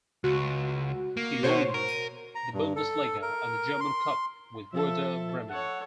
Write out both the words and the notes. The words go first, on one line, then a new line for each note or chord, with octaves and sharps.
He won the Bundesliga and the German Cup with Werder Bremen.
C#2 F#4
A#3
B2 F#4 C5 C#5
A#4
D#7
A#5
G2
A4
A#4
C6
F3 A4 E5
A4 C#5 F#5